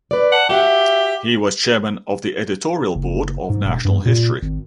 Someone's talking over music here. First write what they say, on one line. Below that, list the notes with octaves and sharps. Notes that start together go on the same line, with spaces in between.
He was chairman of the editorial board of "National History".
B4 D5
F#5 A5
F#4 G4 E5 F#5
F#1
G#2
E1
G2
A#2
G#1